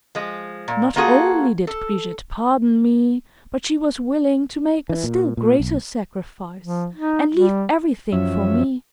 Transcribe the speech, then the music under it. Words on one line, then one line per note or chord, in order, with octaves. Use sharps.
Not only did Brigitte pardon me, but she was willing to make a still greater sacrifice and leave everything for me.
F3 G#3
A#2
A#3 F4 F#4 G#4 A4
A4
E3
A#2
A#2
B1
F3
D#4
G3
F#2 F3 C#4 E5